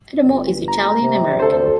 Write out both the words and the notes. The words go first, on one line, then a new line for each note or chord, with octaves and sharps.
Adamo is Italian American.
G1
A#5
C3
D2 A4 C5